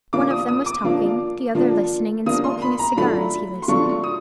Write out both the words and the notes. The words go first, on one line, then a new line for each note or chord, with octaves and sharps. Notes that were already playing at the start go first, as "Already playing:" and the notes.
One of them was talking, the other listening, and smoking a cigar as he listened.
F3 A#3 D4 F4 D6
D#6
D#6
D6
F3 A#3 D4 F4
F3 A#3 D4 F4
F3 A#3 D4 F4 D#6
C6
B5
A#5
F#3 A3 D4 F4 B5
C6
F#3 A3 D4 F4 C#6
D#6